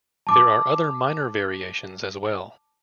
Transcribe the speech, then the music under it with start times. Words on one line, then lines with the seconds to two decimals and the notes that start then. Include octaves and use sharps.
There are other minor variations as well.
0.27 A5 D6